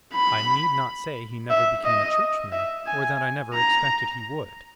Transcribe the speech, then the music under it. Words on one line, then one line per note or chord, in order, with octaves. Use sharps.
I need not say he never became a churchman, or that I never expected he would.
B5
E5
D#5
E5
G#5
A#5